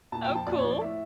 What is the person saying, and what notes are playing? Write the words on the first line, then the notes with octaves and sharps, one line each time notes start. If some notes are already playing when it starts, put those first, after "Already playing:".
Oh, cool.
A#2 A5
F3 G5
A5
A#2 D5
C#5
F3
D5
A2 E5